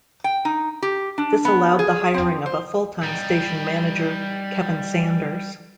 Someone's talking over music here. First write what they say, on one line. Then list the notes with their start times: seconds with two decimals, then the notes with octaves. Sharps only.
This allowed the hiring of a full-time station manager, Kevin Sanders.
0.24 G5
0.45 D#4
0.82 G4
1.18 D4
1.45 B3
1.79 G#4
2.14 C4
2.46 C5
3.03 G3 D#4